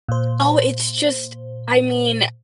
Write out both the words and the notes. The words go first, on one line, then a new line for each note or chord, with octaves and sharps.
oh, it's just I mean,
A#2 C5